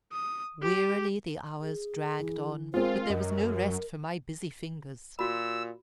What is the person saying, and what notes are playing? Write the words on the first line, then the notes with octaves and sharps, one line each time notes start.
Wearily the hours dragged on, but there was no rest for my busy fingers.
D#6
G4
G#4
E3
G#3 C4 F4 A#4 C5
F#2 A#4 D#5
A#2 F#4 B5 E6